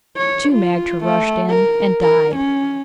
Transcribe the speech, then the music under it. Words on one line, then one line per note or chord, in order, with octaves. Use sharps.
Two magter rushed in, and died.
C#5
F4
A3
A#4
A#4
C#4